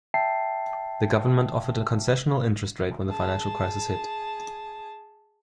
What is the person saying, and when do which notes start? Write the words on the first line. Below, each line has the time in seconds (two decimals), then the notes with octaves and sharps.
The government offered a concessional interest rate when the financial crisis hit.
0.14 E5 G5 A5 C7
3.07 G#4 A5